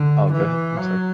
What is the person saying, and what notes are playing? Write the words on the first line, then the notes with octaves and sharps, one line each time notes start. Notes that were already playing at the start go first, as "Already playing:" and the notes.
Oh, go ahead, I'm sorry.
Already playing: D3
E3
F#3